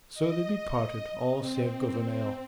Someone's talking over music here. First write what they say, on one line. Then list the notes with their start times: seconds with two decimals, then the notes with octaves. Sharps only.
So they departed all save Gouvernail.
0.14 D#5
1.39 C4